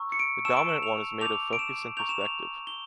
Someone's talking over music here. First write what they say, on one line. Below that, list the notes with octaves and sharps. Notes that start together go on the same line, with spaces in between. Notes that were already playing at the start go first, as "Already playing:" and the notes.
The dominant one is made of focus and perspective.
Already playing: A#5 C#6 E6
C#7
D7
A5 C#6 E6 E7
D7
E7
F7
A5 D6 G6 F7
D7
E7
A#5 C#6 G6 F7
E7
F7
G7